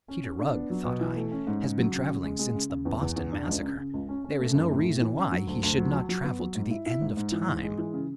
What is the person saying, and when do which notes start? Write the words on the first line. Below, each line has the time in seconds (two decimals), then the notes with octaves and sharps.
If Peter Rugg, thought I, has been travelling since the Boston Massacre, there is no reason why he should not travel to the end of time.
0.08 C#4
0.24 C#4
0.39 D4
0.55 B3
0.70 F#3
0.85 B2
1.01 E3
1.16 A3
1.32 C#4
1.47 G#2
1.62 C#3
1.78 F#3
1.93 C#3
2.08 C#3
2.24 G#3
2.39 G#3
2.55 C#3
2.70 C#3
2.85 E2
3.01 E2
3.16 E2
3.32 D4
3.47 C#2
3.62 C#3
3.77 C#3
3.93 C#2
4.09 C#4
4.24 C#4
4.39 A3
4.55 F#2
4.70 A2
4.85 A2
5.01 E3
5.16 C#4
5.32 F#3
5.47 D2
5.63 D2
5.78 F#3
5.93 F#3
6.09 F#3
6.24 B3
6.40 F#3
6.55 G#2
6.71 E4
6.86 E4
7.01 G#2
7.17 G#2
7.32 E3
7.47 G#2
7.63 G#3
7.78 E3
7.93 C#3